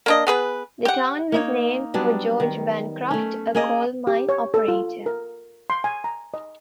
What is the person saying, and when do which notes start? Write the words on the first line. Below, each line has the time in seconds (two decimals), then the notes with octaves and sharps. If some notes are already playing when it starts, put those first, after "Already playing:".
The town was named for George Bancroft, a coal mine operator.
0.06 A#3 D4 D#5
0.27 B3 G#4 B4
0.85 G4 F#5
1.32 A#3 D#4 C#5
1.94 F#3 G3 B3 D4
2.40 D#3
3.11 A3 C#4
3.55 A#3 G#4 D#5
4.07 G4
4.29 C#5
4.54 A4
4.68 F4
5.06 A#4
5.70 C6
5.84 G#5
6.04 A#5
6.34 D#5